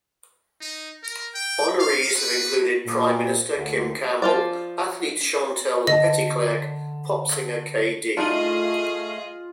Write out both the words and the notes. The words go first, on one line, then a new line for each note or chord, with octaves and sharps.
Honorees have included Prime Minister Kim Campbell, athlete Chantal Petitclerc, pop singer k.d.
D#4
A#4
G5
F5
B4
A#2
D2
F3 F4 D5
D3 D#5 A5
A3 D4 D#4 F4 G#4 D#5 F5